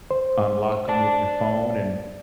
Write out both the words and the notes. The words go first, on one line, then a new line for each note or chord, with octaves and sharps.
unlock 'em with your phone, and
C5
D5 A5